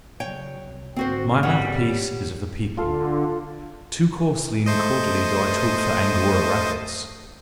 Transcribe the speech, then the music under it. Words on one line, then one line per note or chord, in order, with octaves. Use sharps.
My mouthpiece--is of the people: too coarsely and cordially do I talk for Angora rabbits.
C#3 F#3 C#5 G5
C2
G#1 D3 C4 F#4 C5
G3 C#5 F#5
D3 F4 A4 F5
A3 C5 D#5